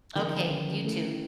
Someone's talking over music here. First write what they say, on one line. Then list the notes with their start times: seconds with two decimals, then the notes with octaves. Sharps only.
Okay, you too.
0.15 D3 D#3 F3 A#3 C#4
0.50 D3 F3 A#3 C#4
0.84 A3 C#4 E4 A4